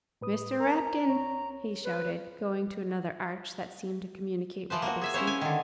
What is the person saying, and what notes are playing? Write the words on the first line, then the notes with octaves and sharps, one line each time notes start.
"Mr. Rapkin!" he shouted, going to another arch that seemed to communicate with the basement.
A2 B4 D#6
A#4 A#5
C2 C#5
B4
E3 F3 B4 C5
A#3 F#4
G#4 E5 G#5
C#4 E4 C5 C#5
G#5
D3 D#3